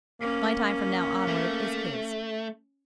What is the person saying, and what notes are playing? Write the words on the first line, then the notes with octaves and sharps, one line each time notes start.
My time from now onward is his.
A#3 C#4
A3